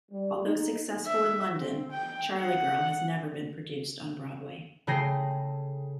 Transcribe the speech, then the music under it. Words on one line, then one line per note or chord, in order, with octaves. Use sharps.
Although successful in London, "Charlie Girl" has never been produced on Broadway.
G3
D#4
E5
C4
G5
F#5
C#3 A3 G#4 G5 A#6 C7